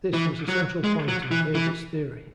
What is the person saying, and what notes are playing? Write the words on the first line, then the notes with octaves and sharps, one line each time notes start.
This was a central point in Weber's theory.
E3
F#3
G#3
F#3
E3
E3